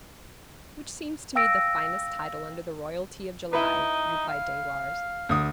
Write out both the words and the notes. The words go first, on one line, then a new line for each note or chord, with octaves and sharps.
"Which seems to me the finest title under the royalty of July," replied Danglars.
F5 G5 E6 A#6 D7
D#4 E4 B4
F5
D2 D#6